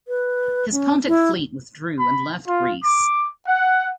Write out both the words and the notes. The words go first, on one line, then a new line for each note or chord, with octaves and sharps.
His Pontic fleet withdrew and left Greece.
B4
C#4
E4
B5
F4
D6
F#5